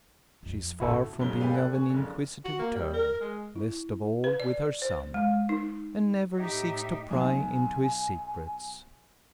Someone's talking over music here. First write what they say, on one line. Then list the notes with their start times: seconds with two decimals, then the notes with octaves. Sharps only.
She is far from being of an inquisitive turn--least of all with her son--and never seeks to pry into his secrets.
0.43 F2 F3
0.80 A2 C#3 E4 F#4 A4
1.20 F#1 G#2 F#3 G7
1.39 A#3 G4 B4 D5 F5 G#5
1.54 A4 F#6
1.73 G#5 C#6
1.90 F#1 D3
2.45 F#4
2.59 A#3
2.74 G3
2.94 A#4
3.21 G#3
3.56 E4
4.24 B4
4.40 D5
4.82 C5
5.14 G#3
5.49 D#4
6.37 A2 D#4 G4 E5
7.11 B1 G#5